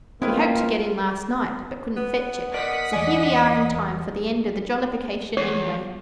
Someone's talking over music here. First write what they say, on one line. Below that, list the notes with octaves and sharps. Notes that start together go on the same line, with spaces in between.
We hoped to get in last night, but couldn't fetch it, so here we are in time for the end of the jollification, anyway.'
G#3 A#3 C4 C#4 E4 F4 B4
B3
A#4 D5 D#5 F#5 D#6 B6
E2 D5 D#5 G#5
E2 C#5